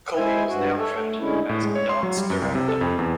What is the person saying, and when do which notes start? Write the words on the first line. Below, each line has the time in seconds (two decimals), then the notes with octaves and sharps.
Colby was now credited as "Dance Director".
0.16 G#3 E4 C5 E5 G#5
0.48 G2 F#4
0.79 A4 C#5 E5
0.95 A3
1.20 D3 G#3 C#4 E4
1.49 A2
1.63 G#3
1.75 C#5
1.89 C6
2.03 F#3
2.17 G3
2.30 F#2
2.42 C2
2.55 C3
2.68 A4
2.81 F2
2.99 E2